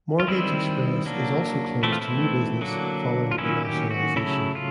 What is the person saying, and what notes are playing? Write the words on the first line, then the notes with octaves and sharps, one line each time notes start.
Mortgage Express is also closed to new business, following the nationalisation.
F4
D#3 G3 C4 E4
F#3 A#3 D4
E3 A3 C4 E4
F4
E4
D3 F#3 A#3 D4
F4
D#3 F#3 A#3 C#4 E4
G4
F#4
C#3 F#3 A3 E4
F4